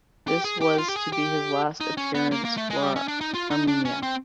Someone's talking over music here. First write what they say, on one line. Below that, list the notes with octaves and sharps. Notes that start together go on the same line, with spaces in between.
This was to be his last appearance for Arminia.
G4
G#4
G4
F4
G4
G#4
G4
D#4
C#4
B3
A#3
A#3
A3
G#3
G3
C#4
D4
D#4
F4
D#4
D4
C#4
C4